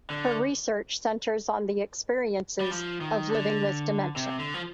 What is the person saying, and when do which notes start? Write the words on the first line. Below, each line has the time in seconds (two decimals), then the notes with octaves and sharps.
Her research centres on the experiences of living with dementia.
0.10 D3
2.61 G3
2.71 F3
3.01 D#3
3.29 D3
4.16 C3
4.39 D3
4.54 F3